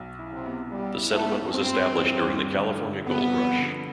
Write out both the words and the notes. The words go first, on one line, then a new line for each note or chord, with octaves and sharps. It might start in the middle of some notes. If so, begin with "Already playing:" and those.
The settlement was established during the California Gold Rush.
Already playing: B1
E4
C3
B3
G3 B3
E4
A3
B3
G2 C4
G2
F3
G2
D3
G2
B3 C4
F2
D3